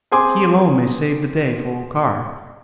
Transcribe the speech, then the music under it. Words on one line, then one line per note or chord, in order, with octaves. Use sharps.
He alone may save the day for Okar.
C4 G#4 G#5 C6 D6